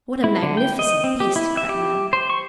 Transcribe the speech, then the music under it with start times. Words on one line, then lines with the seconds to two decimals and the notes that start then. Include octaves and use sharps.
"What a magnificent beast!" cried Neb.
0.24 E4
0.43 D3
0.57 G5
0.79 D#5
1.04 C4
1.20 G4
1.36 E4
1.57 E5
1.69 G4
2.13 C5
2.30 C#6